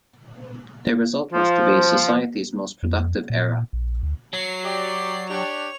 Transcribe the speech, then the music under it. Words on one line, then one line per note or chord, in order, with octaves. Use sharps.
The result was to be the society's most productive era.
F3
F2
A#2
A#1
D2
F#3 C7
G4 D5
D4 G4 C#5 F7